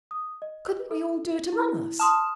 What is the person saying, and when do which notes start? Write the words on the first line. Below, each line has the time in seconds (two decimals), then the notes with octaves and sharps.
"Couldn't we all do it among us?"
0.11 D#6
0.42 D#5
0.91 A4
1.52 E4
2.00 A5 C6 D#6 F6